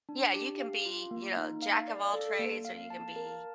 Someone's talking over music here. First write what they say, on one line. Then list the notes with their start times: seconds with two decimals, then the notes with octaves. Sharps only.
Yeah, you can be, you know, jack of all trades or you can be,
0.09 D4
0.34 G4
0.60 F5
0.86 F4
1.11 A#3
1.37 D#4
1.62 F5
1.88 D5
2.14 A4
2.39 A#3
2.65 F5
2.90 A5
3.16 A#4